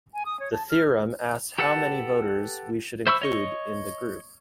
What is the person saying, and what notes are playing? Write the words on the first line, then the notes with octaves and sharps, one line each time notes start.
The theorem asks how many voters we should include in the group.
G#5
D#6
C#5
A5
F6
G4 A4 B4 F#5 A5
C5 E5 B5 C#6 E6
C#5 D#5 C#6